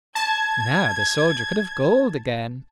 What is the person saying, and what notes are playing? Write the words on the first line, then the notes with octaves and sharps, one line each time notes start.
Now the soldier could have gold again.
A5 G#6